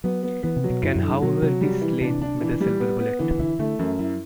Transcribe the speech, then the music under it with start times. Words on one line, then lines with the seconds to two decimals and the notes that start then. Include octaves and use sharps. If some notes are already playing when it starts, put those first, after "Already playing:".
It can however, be slain with a silver bullet.
0.04 F#3 B3
0.23 B3
0.43 E3 B3
0.56 C3
0.64 F#3
0.70 B2
0.82 F#2 E4
0.96 F#2
1.02 D3
1.09 G2
1.22 B2 F#3
1.42 C3 F#3
1.61 G3
1.81 E3
2.01 C3 D4
2.22 D4
2.41 E3
2.60 G3
2.80 B3
3.00 B3
3.19 D3 E3
3.39 D3 E4
3.59 D3 A3
3.79 F#2 E3
3.99 F#3 E4